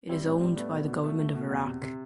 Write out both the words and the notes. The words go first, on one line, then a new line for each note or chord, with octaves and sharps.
It is owned by the Government of Iraq.
G3 C4 E4
A2 C4 E4
G3 C4
A3 B3 D4
B2
B2
A3
A3
B2
E2
C3
C3